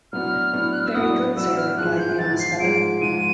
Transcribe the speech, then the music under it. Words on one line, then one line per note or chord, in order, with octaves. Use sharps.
"Very good, sir," replied the honest fellow.
A2 F#3 B3 D4 F6
A2 F#3 B3 D4
F#6
F6
E6
A2 F#3 B3 D4 D#6
A2 F#3 B3 D4 E6
F6
G#2 F3 G#3 F#6
G6
G#2 F3 G#3 A6
C7
G#2 F3 G#3 D7
G#2 F3 G#3 D#7